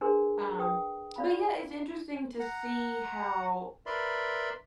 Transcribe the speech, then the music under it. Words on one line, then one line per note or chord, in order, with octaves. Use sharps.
Um, but, yeah, it's interesting to see how
D4 G#4 A#4 B4 C6
B4 G5 D#6
D5 F5 B5
F#5 A#5
A#4 B4 D5 E5 B5 C6